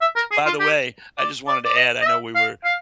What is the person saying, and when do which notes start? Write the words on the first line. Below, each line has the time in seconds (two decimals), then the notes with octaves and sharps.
By the way, I just wanted to add, I know we were
0.01 E5
0.16 A#4
0.31 G#4
0.46 F4
0.60 G4
1.18 D5
1.48 D5
1.65 D5
1.76 D#5
2.02 D#5
2.06 E5
2.35 F5
2.65 F5